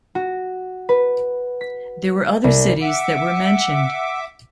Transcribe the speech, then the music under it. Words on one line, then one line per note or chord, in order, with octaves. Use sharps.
There were other cities that were mentioned.
F#4
B4
B6
C2
E5 F#5 D6